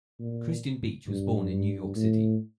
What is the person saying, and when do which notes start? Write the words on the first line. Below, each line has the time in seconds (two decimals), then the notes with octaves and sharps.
Christian Beach was born in New York City.
0.20 A#2
1.08 G2
1.52 G2
1.96 A2